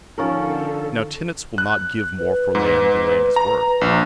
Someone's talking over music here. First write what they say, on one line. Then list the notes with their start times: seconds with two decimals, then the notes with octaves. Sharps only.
Now tenants will not give more for land, than land is worth.
0.18 D3 F3 C#4 D#4 A4 A#4
1.58 F#6
2.18 B4
2.55 G#2
3.36 A#5
3.81 A#1 D4